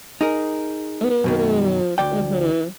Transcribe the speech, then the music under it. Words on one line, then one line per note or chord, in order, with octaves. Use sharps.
Mm, mhm.
D#4 G#4 A#4
F#2 B2 D#3
D2 D5 G5